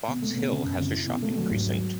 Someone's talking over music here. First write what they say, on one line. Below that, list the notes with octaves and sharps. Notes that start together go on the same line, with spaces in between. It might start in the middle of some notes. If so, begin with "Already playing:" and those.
Box Hill has a shopping precinct.
B2
A3
B2
C#3
F#2
C#3
E4
B2
A3
F#3
G#2
F#3